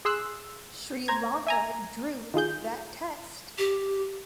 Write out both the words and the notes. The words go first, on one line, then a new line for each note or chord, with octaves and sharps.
Sri Lanka drew that Test.
G#4 C6 E6 F#6
C5 A#5 G#6
E5 G#5 A#5
D#3 F4 G#4 G6
G4